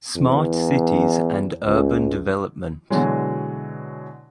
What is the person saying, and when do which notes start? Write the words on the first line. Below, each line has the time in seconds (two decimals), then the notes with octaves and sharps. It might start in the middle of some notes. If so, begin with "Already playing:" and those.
Smart Cities and Urban Development.
0.16 E2
1.65 C#2
2.90 B2 D3 E3 F#3 G#3